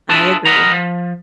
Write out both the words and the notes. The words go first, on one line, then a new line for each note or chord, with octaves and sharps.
I agree.
D4 E4 F4 G#4 B4 A5
A#4 B4 D#5 F#5 A#5
F3